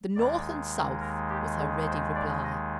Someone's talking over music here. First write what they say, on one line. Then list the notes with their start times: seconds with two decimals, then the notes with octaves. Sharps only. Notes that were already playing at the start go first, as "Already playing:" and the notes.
"The North and South," was her ready reply.
0.16 D#2 D#3 G#3 D5
1.01 A#4
1.30 G4
1.59 G#4
1.88 C5
2.15 D5
2.44 D#5